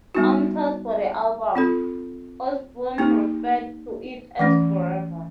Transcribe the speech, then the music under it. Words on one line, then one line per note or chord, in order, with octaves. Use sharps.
On tours for the album, Osbourne referred to it as "Forever".
G3 B3 D#4 F#4
C4 F4 A4
A#3 D#4 G4
E3 A3 C#4